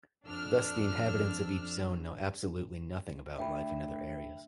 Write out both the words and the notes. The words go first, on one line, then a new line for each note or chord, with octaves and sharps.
Thus, the inhabitants of each zone know absolutely nothing about life in other areas.
F2 D4 E6 F6
D2 E5 G5 B5